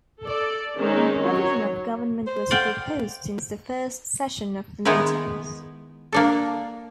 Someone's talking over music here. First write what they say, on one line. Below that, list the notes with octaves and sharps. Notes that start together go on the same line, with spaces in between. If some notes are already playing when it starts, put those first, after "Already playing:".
The composition of government was proposed since the first session of the meetings.
A4 D5
D#3 G#3 C4 C#4 D#4
F#3 C#5
C5
D5 F5 G5
D#3 G#3 B3 D#4 E4 B4
A#3 D4 A4